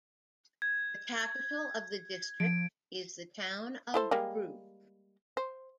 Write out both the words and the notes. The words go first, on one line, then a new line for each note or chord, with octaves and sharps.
The capital of the district is the town of Brugg.
G#6
F3 D7
E4 A4 C5
G3 G#3 A#3
C5